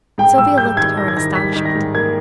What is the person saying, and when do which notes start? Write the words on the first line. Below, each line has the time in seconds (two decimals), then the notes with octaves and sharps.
Sylvia looked at her in astonishment.
0.18 G#2 G5
0.38 G#2 E6
0.57 G3 G6
0.77 D#3 G#6
0.97 D#3 A#6
1.08 G#6
1.17 D#3 A#6
1.35 G3 B6
1.53 D#3 B6
1.65 A#6
1.75 G#2
1.95 A#3 G#6